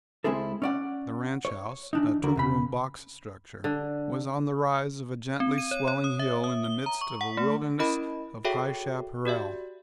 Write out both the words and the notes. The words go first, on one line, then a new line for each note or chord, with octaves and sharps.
The ranch house--a two-room box structure--was on the rise of a gently swelling hill in the midst of a wilderness of high chaparral.
C#2 G#3 C4 E4 G#4 A4
C#4 D5 F#5
C#5
E3 D4 D#4
D#2 D3 F#4 A#4
E2 C#3 B5
D3
C4
D#7
C#5
C#5
D#6
E5
D#6
G7
A#5
C#6
F#5
A3
C#4 E4 A#4 D#5 B5 D7
F#4 G#4 A4 C#5 E5 G5
F#4 G4 D5 E5